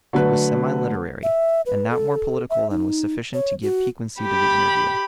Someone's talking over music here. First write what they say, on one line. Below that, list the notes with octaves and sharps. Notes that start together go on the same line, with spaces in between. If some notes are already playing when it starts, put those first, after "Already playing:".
It was semi-literary, and not more political than was sufficient to give piquancy to the interview.
D3 F#3 A3 B4
E5
B4
A4
E5
D#4
C#5
F#4
G4 B5